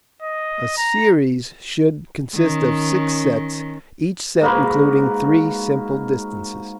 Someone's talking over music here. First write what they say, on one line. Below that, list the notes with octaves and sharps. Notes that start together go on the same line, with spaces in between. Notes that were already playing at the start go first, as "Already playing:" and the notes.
A series should consist of six sets, each set including three simple distances.
D#5
A#5
D#3 C#4
G#2 A#3 F#4 B4